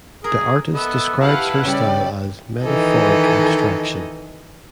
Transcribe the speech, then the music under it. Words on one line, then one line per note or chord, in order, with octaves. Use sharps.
The artist describes her style as "metaphoric abstraction".
G#4 A#4
B3 A4 D#5 E5
E4 G4 B4 F5 F#5 A5 B5
C#3 G3 G4 D5
D#3 E3 A4 D#5